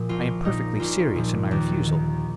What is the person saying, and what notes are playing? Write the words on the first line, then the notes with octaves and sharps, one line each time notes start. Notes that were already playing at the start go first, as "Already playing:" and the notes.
I am perfectly serious in my refusal.
Already playing: A#2 F3
A#1 F4
A#2 F3 D#4
A#1 F4
A#2 F3
D#2
D#3